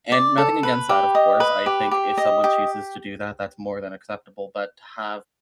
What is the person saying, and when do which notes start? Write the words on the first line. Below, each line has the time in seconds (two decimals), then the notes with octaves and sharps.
and nothing against that, of course. I think if someone chooses to do that, that's more than acceptable, but to have
0.12 D5
0.38 A4
0.63 B4
0.89 G4
1.15 D#5
1.40 B4
1.66 G4
1.91 G4
2.18 D#5
2.44 G4